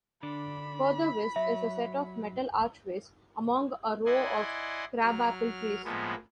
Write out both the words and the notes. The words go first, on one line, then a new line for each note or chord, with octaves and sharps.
Further west, is a set of metal archways among a row of crabapple trees.
D3 D4 B5
F#3 E5
E4 D5 D#5 F#5 G#5 C6
F#3 F6
A2 F3 G#3 A#3 B3